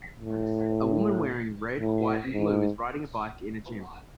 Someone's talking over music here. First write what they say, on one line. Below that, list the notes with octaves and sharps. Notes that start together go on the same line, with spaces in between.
A woman wearing red, white, and blue, is riding a bike in a gym.
A2
A2
G#2